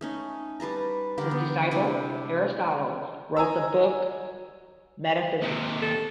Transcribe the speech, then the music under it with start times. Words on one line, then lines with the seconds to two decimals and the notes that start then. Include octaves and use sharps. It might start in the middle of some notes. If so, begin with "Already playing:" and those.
His disciple Aristotle wrote the book Metaphysics.
0.01 A3 C#4 D#4
0.60 G3 B4 A5 A#5
1.18 D3 G4 A#4 F#5
1.31 B3
1.71 C3 D4 E4
3.37 D#5 G#5 A#5 E6
5.42 D#2 C3
5.82 A4